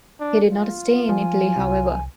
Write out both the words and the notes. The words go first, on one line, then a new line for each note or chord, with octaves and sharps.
He did not stay in Italy, however.
D4
F4
F3 G#5
C2